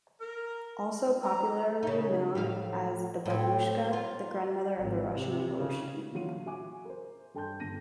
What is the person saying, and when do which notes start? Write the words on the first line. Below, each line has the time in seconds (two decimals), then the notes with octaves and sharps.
Also popularly known as known as Babushka, the grandmother of the Russian Revolution.
0.21 A#4
1.23 A#5
1.83 C#3 D#4
2.35 A2 F3 F5
3.26 A2 C4
3.93 F4
4.78 G#1
5.14 C3
5.57 C#3
6.11 A#2 D3 E3 F#3 F4 D#7
6.46 F#4 E5 G#5 D6
6.85 A#4 C5
7.34 G2 A4 G5 A5 C6 G6
7.60 G1 A#6 D#7